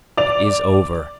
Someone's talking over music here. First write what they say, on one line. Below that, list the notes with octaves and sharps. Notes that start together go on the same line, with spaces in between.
It is over.
D5 F7